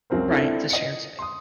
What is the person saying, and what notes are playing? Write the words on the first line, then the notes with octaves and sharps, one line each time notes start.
Right. It's a shared spa
C#2 F#3 C4 A#4 C5
C4 D4 E4 F4 A4
D#5 C#7
C6 D#6